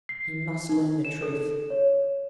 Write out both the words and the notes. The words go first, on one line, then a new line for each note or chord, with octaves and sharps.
He must learn the truth.
C7
D#4
E7
A4
C#5